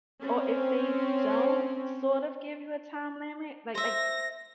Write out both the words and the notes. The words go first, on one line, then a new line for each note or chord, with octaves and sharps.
or if they don't sort of give you a time limit, like like
C4 C#4
C5 E5 A#6